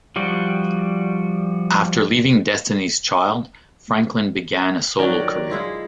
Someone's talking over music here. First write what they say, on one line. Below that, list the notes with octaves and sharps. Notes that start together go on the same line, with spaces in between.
After leaving Destiny's Child, Franklin began a solo career.
F3 G3 F#4
D#3 F#3 F#4 A#4 D5
G#3 E4 F4